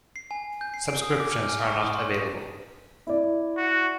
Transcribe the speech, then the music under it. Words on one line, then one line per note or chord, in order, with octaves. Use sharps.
Subscriptions are not available.
C7
G#5
G6
C7
D7
D#6
D6
F6
G#5
C#6
D#6
C6
E4 D5
F#4